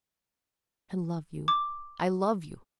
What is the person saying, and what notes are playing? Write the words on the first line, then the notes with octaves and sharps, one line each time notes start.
I love you--I love you!
D6